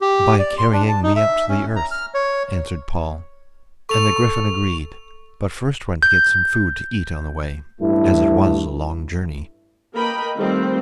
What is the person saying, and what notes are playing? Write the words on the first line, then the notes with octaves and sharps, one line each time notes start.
'By carrying me up to the earth,' answered Paul; and the griffin agreed, but first went to get some food to eat on the way, as it was a long journey.
G4
D5
C6
D4
A5
D#4
E5
C#4
A#5
F6
C#5
A4 C#6 F7
G6
A1 G2 A3 E4
A#3 A#4 B4 D#5 G5 B5
D#3 F3 G3 A3 C4 C5